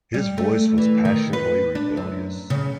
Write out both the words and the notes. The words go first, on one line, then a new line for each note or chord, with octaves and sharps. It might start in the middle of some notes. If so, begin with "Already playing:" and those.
His voice was passionately rebellious.
G3
A3
E3
D#3
B4
D4
F#2
C#3